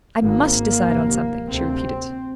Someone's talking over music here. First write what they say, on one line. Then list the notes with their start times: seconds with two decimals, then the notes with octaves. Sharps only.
"I MUST decide on something," she repeated.
0.22 G#1 G#2 A#3
0.86 F1 D#2
1.50 D2 C3 C4